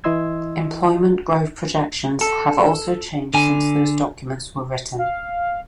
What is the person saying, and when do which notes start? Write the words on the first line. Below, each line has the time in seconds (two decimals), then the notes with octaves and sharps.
Employment growth projections have also changed since those documents were written.
0.04 E3 E4 D#5 C6 E6 G#6
2.21 A4
3.34 D3 G#5
4.98 F5